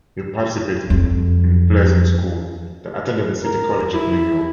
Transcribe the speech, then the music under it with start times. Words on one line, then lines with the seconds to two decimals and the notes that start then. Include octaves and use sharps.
He participated in plays in school, then attended the City College of New York.
0.90 F2
3.44 A#4
3.94 E4